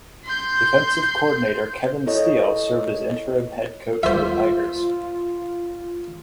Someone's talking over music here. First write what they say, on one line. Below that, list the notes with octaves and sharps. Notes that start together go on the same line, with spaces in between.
Defensive coordinator Kevin Steele served as interim head coach for the Tigers.
C6 G6
E4 A4 C#5 D#5
F4 C5 E5